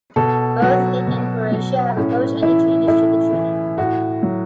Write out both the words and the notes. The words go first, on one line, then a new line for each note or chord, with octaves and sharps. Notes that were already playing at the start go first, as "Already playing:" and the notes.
Both it and Croatia have opposed any changes to the treaty.
B2 A4
F#3 F#4
B2
F#3
A2 C#4
E3 E4
A2 E4
E3
A2 F#4
F#3